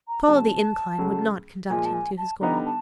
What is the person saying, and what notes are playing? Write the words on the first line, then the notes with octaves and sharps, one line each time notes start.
To follow the incline would not conduct him to his goal.
A#5
C#3 F#3 B3 A5
C#2 C#3 F#3 A3
A#2 F3 G#3 G#5
A5
G#5
A5
D3 G3 B3 D#4 A#5
A5